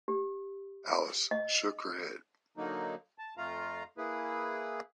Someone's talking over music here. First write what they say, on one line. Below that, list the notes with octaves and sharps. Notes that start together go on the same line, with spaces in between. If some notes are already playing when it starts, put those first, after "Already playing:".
Alice shook her head.
G4
D#5
D3 F#3 A#3 D#4
A5
F2 A3 F4 F5 A#5
A#3 E4 G#4 B4